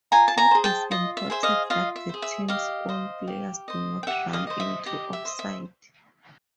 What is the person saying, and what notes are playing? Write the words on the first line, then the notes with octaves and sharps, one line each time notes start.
It is important that the teams own players do not run into offside.
F4 G#5 A#5
A5
G#5 A#5
G#4 C5
G5 A5
F4 D#5
E5
G#4 C5 E5
D#5 F5
F4 D#5 F5
E5
G#4 C5
E5
G4 D#5 F5
C5 D#5
G4
C5 D#5
G5
G4 E5 F#5
D#5 F5
C5 D#5
E5
G4 D#5
E5
C5 D#5
E5